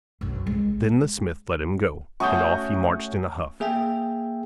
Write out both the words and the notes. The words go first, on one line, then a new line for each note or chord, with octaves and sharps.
Then the smith let him go, and off he marched in a huff.
B1 F#2
A#1 G#3
A3 C#4 F#4 C#6 D#6 G6
A#3 G#4 E5 G5 G#5